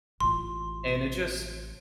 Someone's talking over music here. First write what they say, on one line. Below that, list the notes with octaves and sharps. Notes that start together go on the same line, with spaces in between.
and it just
A1 F4 C6